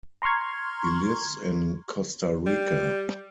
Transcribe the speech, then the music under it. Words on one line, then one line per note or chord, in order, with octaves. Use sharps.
He lives in Costa Rica.
A#5 C6 C#6 F6 G#6
G3